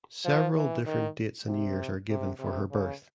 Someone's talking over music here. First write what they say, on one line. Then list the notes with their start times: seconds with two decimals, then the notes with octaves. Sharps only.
Several different dates and years are given for her birth.
0.25 F3
0.56 E3
0.86 D#3
1.48 C3
2.09 C3
2.40 C3
2.71 C#3